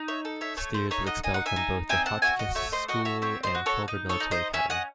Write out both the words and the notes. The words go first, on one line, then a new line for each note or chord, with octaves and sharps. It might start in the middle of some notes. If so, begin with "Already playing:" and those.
Steers was expelled from both the Hotchkiss School and Culver Military Academy.
Already playing: D#4
C#5 E5
A4
C#5 E5
A3 A4 C#5
C5
D#4 C#5 E5
D#5 F#5
D#4 G#5
F#5
E5 G#5
D#4
C4 E5 G#5
F#5 A5
F#4 E5 G#5
D#5 F#5
A3 C#5 E5
C5 D#5
F#4 D#5 F#5
C#5 E5
C4 C#5 E5
C5 D#5
F#4
A4 C#5
D#4
A4 C#5
D#4
C5 D#5
C#4 E5 G#5
D#5 F#5